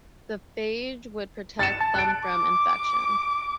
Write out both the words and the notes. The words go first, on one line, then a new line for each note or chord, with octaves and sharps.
The phage would protect them from infection.
A6 C#7 E7
A5
F#6 D7
D6